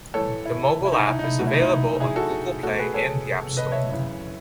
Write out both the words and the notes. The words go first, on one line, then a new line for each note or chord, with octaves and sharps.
The mobile app is available on Google Play and the App Store.
A2 E3 A3 A4 C#5
E4
E4
D#4
E4
D#4
E4
B2 F#3 A3 F#4
E4
D#4
E4
E4 G#4
F#4 A4
B2 A3 F#4 A4
G#4 B4
A4 C#5
B4 D#5
C#5 E5
F#2 C#3 E3